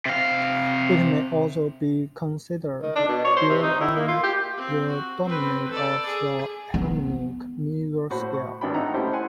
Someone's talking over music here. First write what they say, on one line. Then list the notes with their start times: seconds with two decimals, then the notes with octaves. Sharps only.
It may also be considered built on the dominant of the harmonic minor scale.
0.06 C3 F5
2.82 D#3
2.95 D4
3.08 B2
3.25 C#5
3.36 C5
3.49 C3
3.63 D#4
3.80 E4
3.96 A#3
4.08 F4
4.23 G4
4.57 C4
4.87 F#4
5.24 C4 B4
5.71 A4 D5
6.07 G#4
6.74 B3
8.10 A2 F#4 C5 B5
8.34 C#6
8.61 G#1 D#3 D4 B4 G5 B5
8.74 D#4 E5 F#5 A#5
8.94 A3 C#4 E4 G4 C5
9.13 F#5 G#5 C6